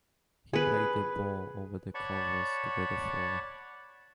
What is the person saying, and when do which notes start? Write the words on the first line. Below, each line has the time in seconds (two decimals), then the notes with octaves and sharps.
He played the bowl over the covers to get a four.
0.53 G#4 B4
1.95 C#5 D5 F#5 A5 B5 C#6